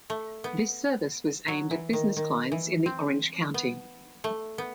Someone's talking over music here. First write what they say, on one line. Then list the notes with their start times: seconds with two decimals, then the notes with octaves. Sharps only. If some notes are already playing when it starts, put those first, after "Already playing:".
This service was aimed at business clients in the Orange County.
0.10 A3
0.44 B3
1.48 F#3
1.71 E3
1.93 D#3
2.17 D#3
2.52 E3
2.86 C4
3.54 B3
4.24 A3
4.58 B3